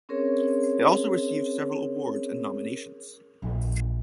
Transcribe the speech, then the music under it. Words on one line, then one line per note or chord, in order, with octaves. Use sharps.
It also received several awards and nominations.
C4 C#4 G#4 A#4 C#5
A#1